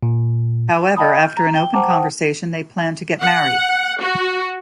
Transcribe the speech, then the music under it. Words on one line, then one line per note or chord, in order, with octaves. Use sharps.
However, after an open conversation they plan to get married.
A#2
D#5 F5 G5 A5 B5 D#6
F6 G6
A#5
G5 G7
C5 F#5 G5 A5 A#5 D6
C5 F#5 G5 A5 D#6
F#5
F#4